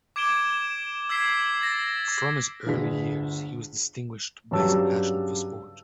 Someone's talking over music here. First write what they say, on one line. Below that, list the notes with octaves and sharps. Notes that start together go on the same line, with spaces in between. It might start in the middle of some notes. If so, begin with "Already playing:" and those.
From his early years he was distinguished by his passion for sport.
D6 G#6 D7 E7 G7
E6 G#6 B6 C7 G7
A6 A#6
G1 D2 D3 G#4 B6
G2 C#3 F#3 G3 A5 E6